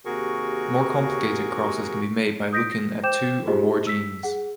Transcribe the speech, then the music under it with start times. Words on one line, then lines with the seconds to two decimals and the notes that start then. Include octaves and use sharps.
More complicated crosses can be made by looking at two or more genes.
0.05 D#2 C3 F#4 G#4 A#4 C#6
2.53 D#6 G6 A#6 B6 D7
2.72 A#6
3.03 C5 G5 D6 G6 E7
3.47 D#4 F4 G4 G#4 C5 D#5
3.87 E6 B6
4.23 G#4 F#5